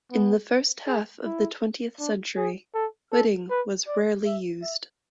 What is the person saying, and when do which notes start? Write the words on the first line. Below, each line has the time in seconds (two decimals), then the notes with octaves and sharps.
In the first half of the twentieth century, hooding was rarely used.
0.12 B3
0.87 G#4
1.25 E4
1.99 D4
2.37 G#4
2.74 A4
3.12 A4
3.50 B4
3.87 D5
4.25 E5
4.62 E5